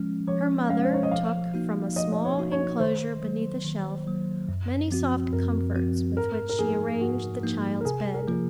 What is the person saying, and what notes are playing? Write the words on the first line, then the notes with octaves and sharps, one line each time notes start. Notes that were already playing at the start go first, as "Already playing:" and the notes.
Her mother took from a small inclosure beneath a shelf many soft comforts with which she arranged the child's bed.
Already playing: F3 G#3 C#4
F3 C#5
G#3 C#4 F5
C5
C#5
D#5
F3 F5
A#3 D#4 F#4
F3 D#5
D#5
C#5
A#3 D#4 F#4
C#5
D#3 C5
F#3 A#3
D#3
F#3 A#3
F#2
F3 C4 F#4
F#2 A#4
F3 C4 F#4
G#2 A#4
A#4
F3 A#3 D#4 G#4
G#2 F#4
F3 A#3 D#4
A#4
C3 G#4
A#4
G#4
F3 A#3 F4 A#4